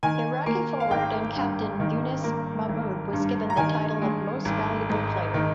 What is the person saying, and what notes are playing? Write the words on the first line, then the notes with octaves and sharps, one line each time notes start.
Iraqi forward and captain Younis Mahmoud was given the title of Most Valuable Player.
D#3 G#5
A#3
F5
G#1 G5
G2
D#3
A#3
G#1
G2
A#5
D#3 G#5
G#3
G#1
G#2
D#3